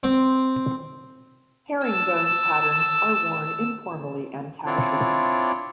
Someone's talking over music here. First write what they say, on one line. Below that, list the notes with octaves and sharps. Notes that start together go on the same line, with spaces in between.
Herringbone patterns are worn informally and casually.
C4
A5 E6
C4 D4 E4 F4 C#5 D5